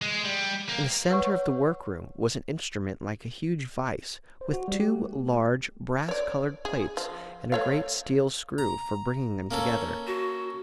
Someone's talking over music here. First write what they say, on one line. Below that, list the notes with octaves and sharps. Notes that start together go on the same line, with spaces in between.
In the centre of the workroom was an instrument like a huge vice, with two large brass-coloured plates, and a great steel screw for bringing them together.
G#3
G3
A#3
B4 C#5 F#5 C#6
C5
F#4
G3
G4
A3
C#5 D5
G#4
F3
A3 C#5 F5
A#5
A#3 C#4 A4
F#4